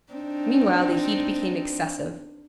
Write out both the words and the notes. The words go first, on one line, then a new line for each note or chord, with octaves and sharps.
Meanwhile the heat became excessive.
C4 D4 D#4